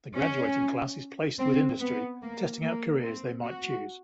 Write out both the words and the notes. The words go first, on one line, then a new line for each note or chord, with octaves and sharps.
The graduating class is placed with industry, testing out careers they might choose.
C#4
C4
B3
A#3
A#3
C4
F#4